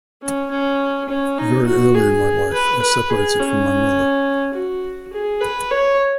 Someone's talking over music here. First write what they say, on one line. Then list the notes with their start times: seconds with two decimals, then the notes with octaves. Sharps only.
Very early in my life, I separated from my mother.
0.22 C#4
0.51 C#4
1.09 C#4
1.38 D#4
1.67 F#4
1.95 G#4
2.53 B4
2.82 B4
3.10 G#4
3.39 C#4
4.54 F#4
5.13 G#4
5.42 B4
5.71 C#5